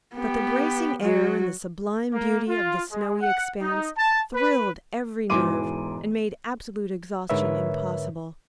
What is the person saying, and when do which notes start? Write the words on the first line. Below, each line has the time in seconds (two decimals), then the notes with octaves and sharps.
But the bracing air and the sublime beauty of the snowy expanse thrilled every nerve and made absolute exhaustion impossible.
0.15 B3 G4
1.02 F#3 F#4
2.12 A#3
2.48 F4
2.90 G#3
3.21 F#5
3.61 D#4
3.97 A5
4.34 B4
5.30 E1 G#2 E3 C6 D6 D#7
7.30 G#2 D3 A#4 B4 C#5 E5